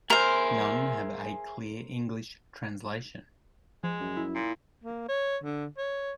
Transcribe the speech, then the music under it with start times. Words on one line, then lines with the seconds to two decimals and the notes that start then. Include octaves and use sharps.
None have a clear English translation.
0.10 G#4 A#4 C5 E5 G#5
3.84 F3 G#3
4.00 F#2
4.16 E4
4.35 A#2
4.84 A#3
5.09 C#5
5.43 D3
5.78 C#5